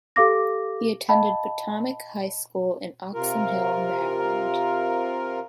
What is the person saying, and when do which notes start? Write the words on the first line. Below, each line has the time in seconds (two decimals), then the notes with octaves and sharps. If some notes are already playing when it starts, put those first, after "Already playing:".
He attended Potomac High School in Oxon Hill, Maryland.
0.16 G4 A4 F5 D6 A#6
1.09 D#5 F5 G5 A5 B5
3.14 C3 F4 A#4